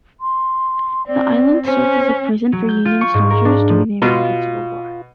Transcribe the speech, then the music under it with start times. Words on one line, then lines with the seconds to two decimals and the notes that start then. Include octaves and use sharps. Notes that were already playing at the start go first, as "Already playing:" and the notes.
The island served as a prison for Union soldiers during the American Civil War.
0.20 C6
1.07 C4 D5
1.65 C#4 C5
2.52 F#3
2.69 G6
2.85 F4
3.01 C#6
3.14 G#2
3.30 A#4
3.45 D4
3.69 F3
4.02 B2 F4